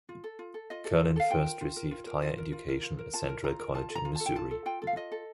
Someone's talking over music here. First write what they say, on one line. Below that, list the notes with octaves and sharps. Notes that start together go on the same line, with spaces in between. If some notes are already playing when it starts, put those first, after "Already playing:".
Kerlin first received higher education at Central College in Missouri.
F4
A4
F4
A4
F4 D#5
A4
F4
A4 F5
F4 G5
A#4
F4
A#4
F4
A#4
F4
A#4
F4
A#4
F4
A#4
F4 A5
A#4
F4 A#5
A#4
F4 A5
A4
A#5
F4
A4 A5
G5
F4 A5
A4
F4 G5
A4
F5
F4 D#5
A4